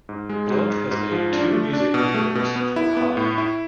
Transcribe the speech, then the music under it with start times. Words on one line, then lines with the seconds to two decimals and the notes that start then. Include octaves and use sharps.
Blunt has made two music videos for "High".
0.09 G#2
0.29 G#3
0.50 G#2
0.70 G#2
0.91 G#2
1.12 F3
1.33 D4
1.52 A3
1.73 D4
1.94 B2
2.14 A3
2.35 B2
2.56 B3
2.76 E4
2.97 B3
3.17 A2
3.38 E4